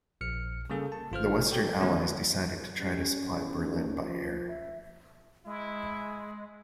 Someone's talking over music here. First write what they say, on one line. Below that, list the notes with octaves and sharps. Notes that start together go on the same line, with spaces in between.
The Western allies decided to try to supply Berlin by air.
A#1 F6 C#7
C#3 G3 A#3 G#4 A4
A5
G#1 F4 C5 F6
F#4 G4 A4 G5
D3 D#3 F#3 G#3 B3 C#4
G3 C#4
E2
D#2
F3
E5
G#3 E4